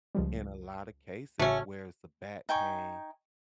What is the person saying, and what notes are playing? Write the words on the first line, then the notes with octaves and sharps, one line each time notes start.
in a lot of cases where it's the back pain
C#2 F3 G3
A1 C#3 A3 C#4 F#4
D#4 G5 G#5 C#6